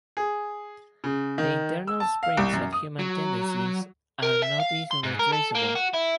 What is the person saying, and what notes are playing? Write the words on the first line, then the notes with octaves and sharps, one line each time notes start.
The internal springs of human tendencies are not easily traceable.
G#4
C#3
D#3
E6
A5
F5
C2
F#2
D#6
F#3
A#4
E5
F5
C6
G#2
A#4
A4
A#3
F#4
E4